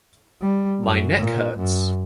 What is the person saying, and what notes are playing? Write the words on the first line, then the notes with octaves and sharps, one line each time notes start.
My neck hurts.
G3
F#2
A#2
F#2